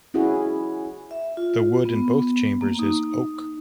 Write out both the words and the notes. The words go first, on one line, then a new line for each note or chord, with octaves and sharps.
The wood in both chambers is oak.
C#4 E4 F#4 G#4
E5
F4
B3
A#3
D#4